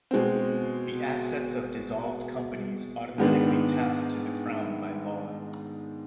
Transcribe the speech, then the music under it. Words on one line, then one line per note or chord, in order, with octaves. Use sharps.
The assets of dissolved companies automatically pass to the Crown by law.
B2 G#3 C4
G#2 D#3 G#3 B3 D4